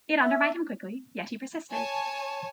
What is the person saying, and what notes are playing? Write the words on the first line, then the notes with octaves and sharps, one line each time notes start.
It undermined him quickly; yet he persisted.
E5
C#5 G#5 A5